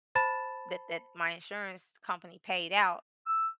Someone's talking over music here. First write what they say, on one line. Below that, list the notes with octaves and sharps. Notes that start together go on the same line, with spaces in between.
that that my insurance company paid out.
C5 A5 B5 A6 E7
E6